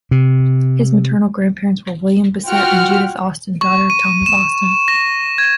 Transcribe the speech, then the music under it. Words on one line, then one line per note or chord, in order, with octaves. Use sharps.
His maternal grandparents were William Basset and Judith Austen, daughter of Thomas Austen.
C3
F4 F#4 F#5 G5 F6
C#6
D#7
E7
A#6
G#6